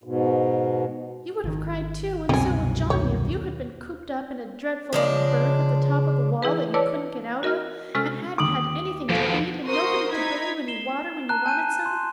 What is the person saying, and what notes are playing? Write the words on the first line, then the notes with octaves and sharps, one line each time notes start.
You would have cried too, and so would Johnnie, if you had been cooped up in a dreadful old berth at the top of the wall that you couldn't get out of, and hadn't had anything to eat, and nobody to bring you any water when you wanted some.
G#2 B2
G#1 D#3
C2 F#2 B2 D3 C4 G#4
D#2 C#5
C#3 F3 G#3 D4
E3 E4 G#4 B4
B4 C#5 D5 A5 D6 E6
F#4 A#4 D#5 F6
C3 G#3 C#4 A4 F6
D#2 D6 D#6 F#7
E2 B2 F3 A4 F5
F#4 A#4 C5 C6 D#6
D#4 E4 G#6 B6
C7 E7 G7
A5 A#5 F#6
G#5 A5 G6 D#7
C6